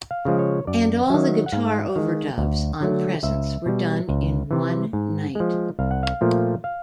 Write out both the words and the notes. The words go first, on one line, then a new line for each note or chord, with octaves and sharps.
And all the guitar overdubs on "Presence" were done in one night.
F5
C#3 F3 G#3
C#5
F#2 D5
D#3 F#3 E5
F#5
G#2 F5
D#3 G#3
D2
D3 F#3 A3
C#2 E5
B2 G3
C#2
C3 E3
G#2
F3 G#3
C2 F5
F#5
F5
A#2 F3 A3
F5